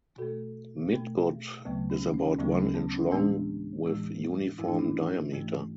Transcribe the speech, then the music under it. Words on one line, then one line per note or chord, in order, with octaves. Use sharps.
Midgut is about one inch long with uniform diameter.
B2 A3 F#4 A4
B2 A3
D2 C#3 F#3 A3 B3
C#4
C#4
C#4
D2 C#3 F#3 A3 B3
C#4
B3
C#4
A2 E3 G#3 B3 D4
A2 E3 G#3
G#2 E3 A3 E4
D4
C#4 E4
G#2 E3 A3